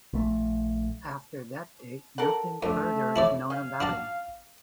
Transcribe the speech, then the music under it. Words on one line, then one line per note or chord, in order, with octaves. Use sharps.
After that date, nothing further is known about him.
A#1 A3
A4 A#4 F#5
F2 A3 D4
E4 C#5 D5
C#4 F5
D4 F#4 A5